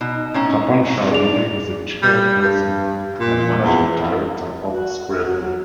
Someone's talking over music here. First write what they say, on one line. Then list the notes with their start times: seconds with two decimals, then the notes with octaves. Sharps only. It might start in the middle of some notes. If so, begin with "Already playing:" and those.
Tapan Chowdhury is the Chairperson and Managing Director of Square Group.
0.01 B2 D#4
0.34 A2 C#4 A#5
1.11 D4 G#4 D5 F7
2.02 G3
2.41 G2
3.20 A#2
3.64 E2
4.68 F#4
5.22 F#3